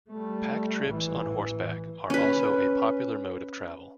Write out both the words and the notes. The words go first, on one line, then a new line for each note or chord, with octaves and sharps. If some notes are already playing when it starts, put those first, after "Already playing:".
Pack trips on horseback are also a popular mode of travel.
G3 A3
A1 E3
C#4 B4